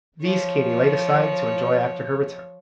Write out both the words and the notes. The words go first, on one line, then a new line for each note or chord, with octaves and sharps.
These Katy laid aside to enjoy after her return.
F3 C#5